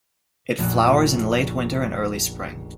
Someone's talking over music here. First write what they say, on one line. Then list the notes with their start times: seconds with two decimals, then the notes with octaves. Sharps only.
It flowers in late winter and early spring.
0.58 F1 A#1 F#5 F#6